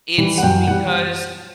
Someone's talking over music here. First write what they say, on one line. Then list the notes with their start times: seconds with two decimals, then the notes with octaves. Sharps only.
it's because
0.18 E3 G3
0.38 F#5
0.43 F#2 G5
0.67 E3 G3 F#5